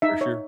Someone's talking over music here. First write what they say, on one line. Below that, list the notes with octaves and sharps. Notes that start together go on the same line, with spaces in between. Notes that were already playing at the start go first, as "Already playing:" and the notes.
For sure.
D#4 E5
C#5